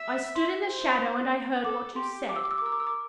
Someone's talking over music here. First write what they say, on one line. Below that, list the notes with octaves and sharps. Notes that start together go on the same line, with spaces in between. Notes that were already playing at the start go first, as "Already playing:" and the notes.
I stood in the shadow, and I heard what you said.
Already playing: E5
C6
C5
A4 D6
G4 C6
D6
E6
D6
E6
D6
A#4 E6
D6
E6
D6